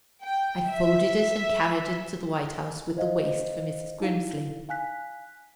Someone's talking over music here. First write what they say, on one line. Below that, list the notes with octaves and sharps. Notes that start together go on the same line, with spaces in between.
I folded it and carried it to the White House, with the waist for Mrs. Grimsly.
G5
E5
C5 D#5 F5
D#4 E4 F5
F5 G#5 F#6 B6